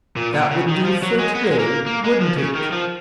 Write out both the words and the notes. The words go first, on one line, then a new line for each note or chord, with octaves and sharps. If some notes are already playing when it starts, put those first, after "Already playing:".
That would do for to-day, wouldn't it?
A#2
A#2
C#3
D#3
F3
F#3
G#3
B3
A#3
G#3
A#3
A#3
G#3
F3
C#3
D#3
F3